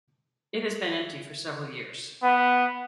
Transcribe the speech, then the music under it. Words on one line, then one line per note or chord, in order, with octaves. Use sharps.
It has been empty for several years.
B3